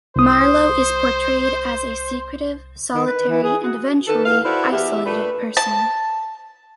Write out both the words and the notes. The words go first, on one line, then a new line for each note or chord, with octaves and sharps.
Marlowe is portrayed as a secretive, solitary and eventually isolated person.
C2 C5 D#6
D#3
B4
E3
G#4
F#4
D#3 A4 B4
E2 F5
E4 F#4 A4 B4 C5 D5
E2 G4 E5
A#2 A3 D4 B4
A5